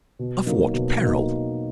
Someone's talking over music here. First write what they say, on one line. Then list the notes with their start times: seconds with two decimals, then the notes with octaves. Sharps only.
Of what peril?'
0.19 B2
0.46 F#3 A#3 D#4
0.74 B2
1.00 F#3 A#3 D#4